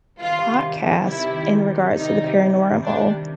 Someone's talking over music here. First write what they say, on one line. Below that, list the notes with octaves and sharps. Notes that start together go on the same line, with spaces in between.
podcasts in regards to the paranormal
C3 D#3 G3 F4
E4
D#4
D4